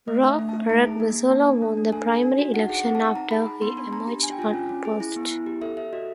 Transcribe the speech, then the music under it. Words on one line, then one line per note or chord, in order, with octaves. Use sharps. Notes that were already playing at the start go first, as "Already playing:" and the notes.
Rauf Aregbesola won the primary election after he emerged unopposed.
A3 D#5
D4 E5
A3
A5
A3
D#4 A#5
G#4
A#3
A#3
D4 A5
D4
A3
D4
A4 G#5
D4
D4
F#4
D#4 F#5
G#4
F#5
C4
A5
D#4
D#4 A#5
G#4 B5
D#4
B3 C6
D4 B5
D4 A#5
G4
D4 G#5
G5
F4 G#5
C#4
C#4
G#4
E4
B3
E4
G4
A4 E5
A4 E5
F#4 D#5